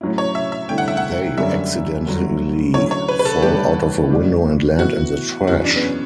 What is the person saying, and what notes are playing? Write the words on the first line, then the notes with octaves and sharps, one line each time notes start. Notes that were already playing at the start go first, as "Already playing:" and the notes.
They accidentally fall out of a window and land in the trash.
A2 F#3 C#4 E4
C#5
E5
E5
G2 D3 A3 E4 G5
F#5
E5
F#5
F#1 F#2 D3 G3 C#4 E5
G2 D3 F#3
D2 D3 F#3 C#4 E4 C#5
C#5
B4
B4
A4
A1 G2 D3 G4
A2 G3 D4
A2 E3 B3 E4 F#4
F#1 E2 C#3 E3 F#4
D4
B3
C#4